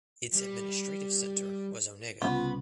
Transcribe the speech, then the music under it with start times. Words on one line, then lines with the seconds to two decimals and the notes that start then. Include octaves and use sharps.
Its administrative centre was Onega.
0.33 G3
2.22 C2 C#3 B3 F4 B5 C6